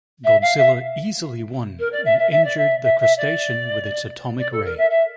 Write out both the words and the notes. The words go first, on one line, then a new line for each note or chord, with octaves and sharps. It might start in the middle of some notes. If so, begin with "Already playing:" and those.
Godzilla easily won and injured the crustacean with its atomic ray.
E5
F5
E5
A#4
D5
E5
E5
E5
D5
E5
E5
E5
D5
D5
A4
A#4
E5
E5